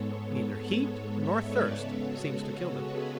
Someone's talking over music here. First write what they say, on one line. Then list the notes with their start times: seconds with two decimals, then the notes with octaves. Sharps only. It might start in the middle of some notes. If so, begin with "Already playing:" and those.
Neither heat nor thirst seems to kill them.
Already playing: G#2 G#3 B3 A4 C#5
1.19 C#5 E5
1.47 B4 D5
1.75 C#3 G#3 B3 A4 C#5
2.03 F#4 A4
2.31 A4 C#5
2.59 A4 C#5
2.87 G#4 B4